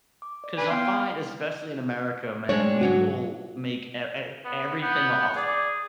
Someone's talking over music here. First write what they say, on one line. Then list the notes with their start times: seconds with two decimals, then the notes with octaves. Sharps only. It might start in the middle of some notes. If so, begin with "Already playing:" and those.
'Cause I find, especially in America, man, we will make e e everything a hustle.
0.22 D6
0.44 D5
0.58 D4 B4 G#5
0.70 B3 F5 G5 C6 F6
2.49 G#3 C4 D4 C#5
2.81 G#2 F#3 F#4 C#5
4.45 B3
4.82 B3 G5
5.36 G#4 D5